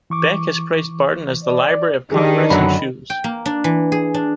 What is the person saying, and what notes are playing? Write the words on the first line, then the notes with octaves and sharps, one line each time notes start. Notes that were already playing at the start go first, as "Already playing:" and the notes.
Beck has praised Barton as "the Library of Congress in shoes".
E3 C#6 D6
D5
D#3 D4 G4 G#4
F#2 D3 F#3 B5
G5
A#3
D4
E3
G#4
D4